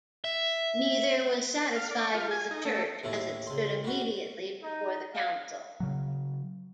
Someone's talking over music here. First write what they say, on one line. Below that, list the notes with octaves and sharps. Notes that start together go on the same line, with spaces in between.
Neither was satisfied with the Church as it stood immediately before the Council.
E5
F5
D5
F4
G#5
D#4
A3
D#2 A2 A3
C#2 C6
G3 F#4
D#4
F5
C#3 F#3